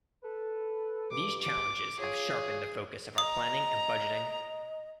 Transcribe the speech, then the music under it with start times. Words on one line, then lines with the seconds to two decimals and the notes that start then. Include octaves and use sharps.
These challenges have sharpened the focus of our planning and budgeting.
0.23 A4 B4
1.11 G2 D6
1.42 D6
2.00 F4 G#4 C#5
3.18 D#5 A#5 D#6